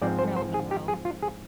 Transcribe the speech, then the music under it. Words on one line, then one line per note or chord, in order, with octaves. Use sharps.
Marilyn Monroe.
G#2 F3 C4 D5
C5
C5
G#4
G4
G#4
F4
G#4